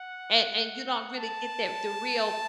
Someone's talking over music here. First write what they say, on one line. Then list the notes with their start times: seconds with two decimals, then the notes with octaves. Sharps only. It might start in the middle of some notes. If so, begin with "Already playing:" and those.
and and you don't really get that the real
Already playing: F#5
1.18 A5